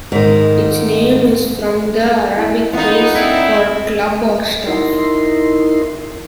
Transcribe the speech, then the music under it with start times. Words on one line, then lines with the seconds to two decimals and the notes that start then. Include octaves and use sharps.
Its name is from the Arabic phrase for "club" or "staff".
0.12 G#2 D#3
2.37 E4
2.73 B3 D#4 F4
3.14 C4 D4 E4 E5
4.66 D#4 E4 A#4 C6